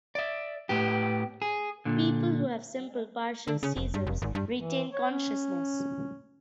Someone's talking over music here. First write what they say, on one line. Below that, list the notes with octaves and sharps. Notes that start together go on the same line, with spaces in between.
People who have simple partial seizures retain consciousness.
D5 E5
A2 B3 G4
G#4
A#2 D3
D3
C#3
F1
G2
F1
G#1
G2
E3
C#5
C#4